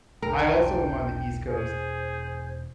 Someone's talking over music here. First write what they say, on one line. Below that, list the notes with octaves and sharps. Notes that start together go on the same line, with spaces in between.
I also am on the East Coast, t
E1 B1 D4 A#4 G5
E1 G#4 C5